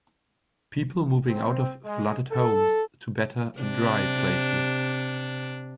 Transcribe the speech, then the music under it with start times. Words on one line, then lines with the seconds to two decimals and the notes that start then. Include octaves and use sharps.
People moving out of flooded homes to better dry places.
1.27 C4
1.85 G#3
2.32 A4
3.59 C3 D4